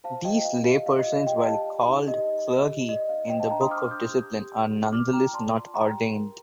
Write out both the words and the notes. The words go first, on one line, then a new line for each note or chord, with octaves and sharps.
These laypersons while called clergy in the Book of Discipline are nonetheless not ordained.
C5 F5 A5
F4 D#5 G5
G4 F5
G4 D#5
D5 F5
D#5
F4
F5
G4 D#5 G5
G4 F5 A5
D5
D#4
G4 D#5
G4
G4
G4
D5 D#5
D#4 F5
C5 D#5 G5
F5 A5
D4 G5 A#5
C6 D#6
C5 D6 F6
D4 D#6 G6
G4
G4
D5
D#4
F4 D6 F6
F4 G5 A#5
D5 A5 C6
F4
G4 G5 A#5
G4
A#4